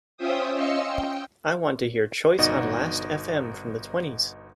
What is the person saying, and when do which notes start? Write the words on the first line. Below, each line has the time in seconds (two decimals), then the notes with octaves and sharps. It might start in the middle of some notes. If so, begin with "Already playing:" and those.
I want to hear Choice on Last Fm from the twenties.
0.17 C#4 F4 C5 E5 G5 D#6
0.52 C#4 D#5 F5 C6 E6 C#7
0.87 G5
2.38 G1 B2 D#4 F#4 D5 D#5